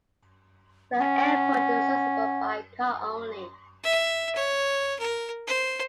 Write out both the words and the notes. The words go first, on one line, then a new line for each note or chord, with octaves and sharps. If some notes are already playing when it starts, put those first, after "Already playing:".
The airport is accessible by car only.
C#4 F#5
E5
C#5
A#4
C5